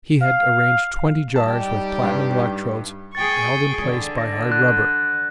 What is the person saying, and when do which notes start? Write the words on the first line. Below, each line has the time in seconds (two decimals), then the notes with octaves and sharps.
He had arranged twenty jars with platinum electrodes held in place by hard rubber.
0.21 F5
1.36 G3 D#4 G4 A5
2.03 G2
3.15 G#4 G5 C#6 A6
3.82 D3
4.18 A#6
4.52 F#6